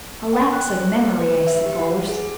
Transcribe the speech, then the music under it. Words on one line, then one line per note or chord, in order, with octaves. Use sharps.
A lapse of memory, I suppose.
G5
F#6
C5
B4
E5
G4
F#5
G#4